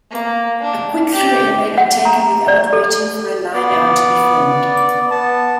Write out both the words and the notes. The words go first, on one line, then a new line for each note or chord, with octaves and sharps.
A quick throw-in may be taken without waiting for a line-out to be formed.
A#3
D4
G4
F#5
A#5
D5
A4
B3 D5
B3 A5